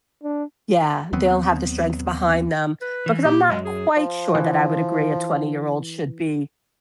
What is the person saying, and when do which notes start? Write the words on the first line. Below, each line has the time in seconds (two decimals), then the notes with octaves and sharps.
yeah, they'll have the strength behind them because I'm not quite sure that I would agree a twenty-year-old should be
0.23 D4
1.13 D#2 F#3 B3 C4
2.82 B4
3.06 E3
3.24 A#2 G4
3.50 F#2 G#3
3.65 G#4
3.96 F3
4.35 E3